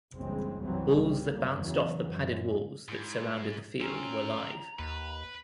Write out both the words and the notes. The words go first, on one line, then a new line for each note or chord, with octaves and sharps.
Balls that bounced off the padded walls that surrounded the field were live.
F#1 C#2 G2 E3 G#3 C4
C2 G2 E3 F#3 C4
C#3 G3
F#2 A#3
E2 C#3 E3 F#3
F#2
G#2 E4
C4 C#4 F4 A#5
D#2 B4